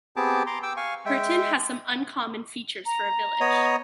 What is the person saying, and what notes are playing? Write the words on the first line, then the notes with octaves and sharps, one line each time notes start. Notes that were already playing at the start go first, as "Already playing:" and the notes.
Pirton has some uncommon features for a village.
B3 C4 G4 G#4 A5 D6
A#5 C6 D6
G5 D6 E6
F5 G#5 C#6
G#3 E5 G5
A#5
B3 C#5 D#5